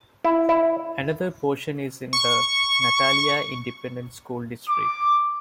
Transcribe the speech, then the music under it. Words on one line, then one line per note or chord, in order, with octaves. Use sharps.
Another portion is in the Natalia Independent School District.
E4
E4
C#6
D6